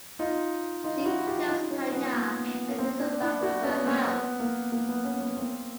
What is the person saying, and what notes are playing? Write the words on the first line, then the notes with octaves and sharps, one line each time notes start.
She kidnaps Tanya and takes her back to her house.
D#4 F4
D#4 F4
F4
E4 F#4
F4 G4
D#4 F4
C#4 D#4
B3 C#4
A#3
B3
C#4
A#3 C4
C4 D4
D4 E4
E4 F#4
B3 C#4
A#3 C4
B3
A#3
A#3
B3
B3 C#4
B3
A#3 C4